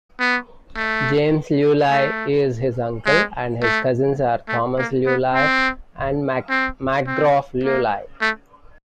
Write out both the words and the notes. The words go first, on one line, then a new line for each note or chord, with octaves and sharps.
James Leuluai is his uncle and his cousins are Thomas Leuluai and Macgraff Leuluai.
B3
A3
A3
G#3
A3
A3
A#3
B3
C4
C4
C4
A#3
A3